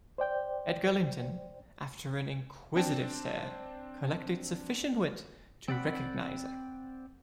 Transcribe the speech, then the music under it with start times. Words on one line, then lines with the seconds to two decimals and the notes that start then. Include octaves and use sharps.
Edgar Linton, after an inquisitive stare, collected sufficient wit to recognise her.
0.18 C5 D5 G5 G6
2.76 C4 D4 G5 A5
5.68 C4 D5 F#5 B5